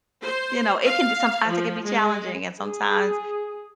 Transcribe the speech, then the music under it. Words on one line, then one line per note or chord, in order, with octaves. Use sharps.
you know, it can b sometimes it can be challenging and sometimes
C5
F5
F3
G#3
G#4